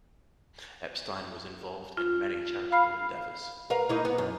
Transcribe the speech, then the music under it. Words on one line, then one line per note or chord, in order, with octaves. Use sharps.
Epstein was involved in many charitable endeavors.
F4
F5 B5
A#4 B4 F5
A#3 D#4 E4
B3
F#2